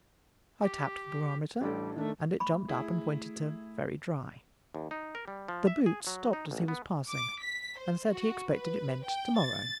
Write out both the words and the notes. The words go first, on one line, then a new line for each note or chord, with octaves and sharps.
I tapped the barometer, and it jumped up and pointed to "very dry." The Boots stopped as he was passing, and said he expected it meant to-morrow.
G4
A1 G3 D4 A4
D#3 A3 D4
A3 B5 C#6
E4 G#4
D#2
D#4
A#4
G3
F3
E5
G#4
F#3
D#4
A1
B3
D6
B6
C5
F#4
B4
G5
A6